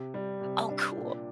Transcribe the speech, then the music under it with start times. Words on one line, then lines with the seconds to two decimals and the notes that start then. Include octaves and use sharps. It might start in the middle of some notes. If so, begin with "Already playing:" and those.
Oh, cool.
Already playing: C3
0.14 G3
0.41 C3
0.69 D4
0.97 A#2